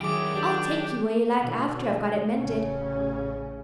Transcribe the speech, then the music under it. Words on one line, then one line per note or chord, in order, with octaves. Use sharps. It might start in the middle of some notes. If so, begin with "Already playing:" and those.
I'll take you where you like after I've got it mended.
D#3 F#3 E4 G4 G#4 D6 D7
D4 G4
B2 D3 E3
A1 C#3 C#4